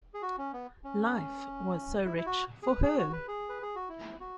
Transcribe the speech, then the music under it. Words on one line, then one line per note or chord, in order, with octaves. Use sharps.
Life was so rich for her.
G#4
F#4
C#4
B3
C#4
E4
E4
F#4
G#4
B4
G#4
F#4
B4
G#4
B4
G#4
F#4
E4
F#4